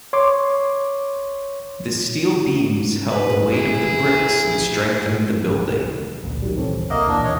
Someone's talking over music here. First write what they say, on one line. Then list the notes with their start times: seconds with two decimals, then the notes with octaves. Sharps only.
The steel beams held the weight of the bricks and strengthened the building.
0.13 C#5 C6 D6
3.10 B4
3.52 E4 G#4
6.24 A1 D2 A#2
6.42 D#3 F#3 G3
6.57 D#2 C3 E3 C4 A4 C#5
6.90 B1 A#3 D#5 E5 F#5 D6
7.07 D#2 A#2 E3 D4
7.24 C#5 D#5